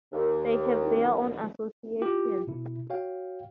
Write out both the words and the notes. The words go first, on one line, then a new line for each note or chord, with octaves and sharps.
They have their own association.
D#2
E4 F4 G4
B2 E4
F#4 C#5 F5 G5